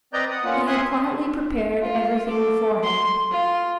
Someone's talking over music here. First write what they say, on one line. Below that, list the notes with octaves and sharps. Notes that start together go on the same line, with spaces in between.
He had quietly prepared everything beforehand.
C4 B4 D5 D#5 A#5 G6
F#5 D#6
A#3 B3 C#4 F4 F#5
E5 G#5 C6 D#6 F#6
F4
A4 D6
C6
F4